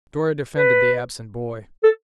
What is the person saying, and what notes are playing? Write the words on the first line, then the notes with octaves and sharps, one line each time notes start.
Dora defended the absent boy.
B4
A4